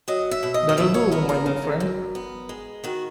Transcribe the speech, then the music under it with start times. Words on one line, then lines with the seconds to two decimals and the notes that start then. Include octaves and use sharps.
That'll do, my good friend!
0.08 F#3 D#5
0.31 E5
0.43 B2
0.54 D#5
0.69 D#5
0.77 B2 E5
0.94 C#5
1.11 B3 A#4
1.29 A#4
1.46 C#3
1.80 F#2
2.15 B3
2.49 G#3
2.84 D#3 F#4